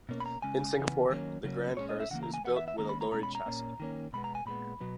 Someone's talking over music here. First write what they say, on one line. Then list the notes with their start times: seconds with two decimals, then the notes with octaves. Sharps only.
In Singapore, the grand hearse is built with a lorry chassis.
0.09 B2 A#3 C#4
0.20 B5
0.26 A#5
0.42 C#3 G#3 C#4 G#5
0.77 C#3 E3 B3
1.10 D#3 F#3 A#3 C#4
1.44 C#3 F#3 A#3 C#4
1.77 A#2 G#3 C#4 C#5
1.89 D#5
2.00 E5
2.11 C#3 E3 A#3 F#5
2.23 A#5
2.34 G#5
2.44 B3 F#5
2.49 E3
2.57 E5
2.68 E5
2.78 D#3 A#3 C#4 A#5
2.89 B5
3.01 A#5
3.11 B2 G#3 C#4 A#5
3.23 B5
3.35 A#5
3.46 A#2 A#3 C#4
3.80 D#3 A#3 C#4
4.13 B2 G#3 B3 B5
4.24 A#5
4.35 G#5
4.46 A#2 G#3 B3 B5
4.81 B2 F#3 B3